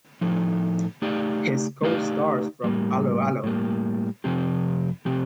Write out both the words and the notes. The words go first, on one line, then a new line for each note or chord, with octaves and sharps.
His co-stars from 'Allo 'Allo!
A2 F3 A3 D#4
A3 D#4 G4 D5 F5
A3 D#4 G4 D5 F5
A2 G3 A#3
A2 G3 A#3
F2 C3 F3 C4 G4
C3 F3 C4 G4